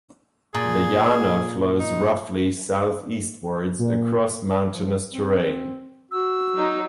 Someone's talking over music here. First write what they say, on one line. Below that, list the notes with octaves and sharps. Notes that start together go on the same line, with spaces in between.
The Yana flows roughly southeastwards across mountainous terrain.
A#2 G#4
D#4
A#2
F3
C4
F#4 E6
F#3 D#4